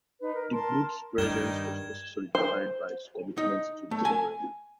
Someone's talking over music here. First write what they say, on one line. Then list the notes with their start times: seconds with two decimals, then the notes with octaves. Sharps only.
The group's presence was also solidified by its commitment to touring.
0.20 D#4 B4
0.33 A#4
0.51 A#4 A5 C6
1.18 G2 D#3 G3 D#4 G#6 E7 G7
2.35 C5
3.38 D#4
3.91 A3
4.05 G#5